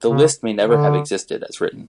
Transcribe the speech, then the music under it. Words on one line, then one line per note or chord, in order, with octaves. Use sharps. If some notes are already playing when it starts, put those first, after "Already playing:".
The list may never have existed as written.
C#3
D3